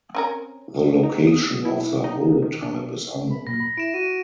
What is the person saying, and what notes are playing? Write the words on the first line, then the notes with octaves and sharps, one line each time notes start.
The location of the holotype is unknown.
C4 C#4 A#4
D#4
D#6
E4
D#4
D#3
D4
B5
A#2 A#6
B5
E4 D7 E7
F#4 D#7